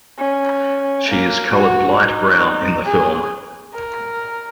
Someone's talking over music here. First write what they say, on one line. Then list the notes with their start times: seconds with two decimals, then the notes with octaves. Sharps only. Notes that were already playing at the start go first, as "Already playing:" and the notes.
She is colored light brown in the film.
0.18 C#4
1.08 A#3
1.52 F#4
1.96 D#4
2.85 G#4
3.74 A#4